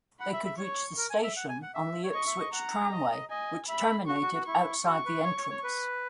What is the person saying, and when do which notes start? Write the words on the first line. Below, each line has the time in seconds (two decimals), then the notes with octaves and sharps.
They could reach the station on the Ipswich Tramway which terminated outside the entrance.
0.20 F#5 B5
0.33 E5
0.45 E5
0.58 C#5 C#6
0.97 A#4
1.10 G#5
1.24 E5
1.37 F#5
1.49 G#5
1.62 F#5
1.75 E5
2.04 C#5
2.14 D#5 C#6
2.26 E5
2.40 D#5
2.53 F#5 A#5
2.92 D#5
3.11 D#5
3.30 D#5 G#5
3.69 E5 B5
4.08 F#4 C#6
4.22 F#4
4.34 F#4
4.46 E4 C#6
4.86 F#4 C#6
5.06 B4
5.24 C#5
5.38 C#5
5.50 C#5
5.64 B4